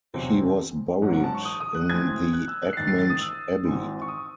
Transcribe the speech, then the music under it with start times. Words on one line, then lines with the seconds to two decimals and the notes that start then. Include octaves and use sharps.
He was buried in the Egmond Abbey.
0.14 E2 C3 F#3 C4
1.02 A1 G#2 F#3 F#5
1.13 F#5
1.24 A5
1.35 C#6
1.45 D#6
1.60 D#6
1.75 F#6
1.89 F#2 E3 A3 C4 G#6
2.33 F#6
2.48 E6
2.62 F#6
2.73 C7
2.77 A1 G#2 D#3 A6
2.88 C7
2.99 A6
3.10 D#6
3.21 E6
3.65 G#1 G#2 E3 C4
4.02 C#6
4.08 D#6